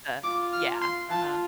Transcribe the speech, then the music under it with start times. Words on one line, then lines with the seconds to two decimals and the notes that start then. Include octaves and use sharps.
Uh, yeah, uh-huh.
0.23 F4 D6
0.53 F6
0.82 C6
1.11 F4 A5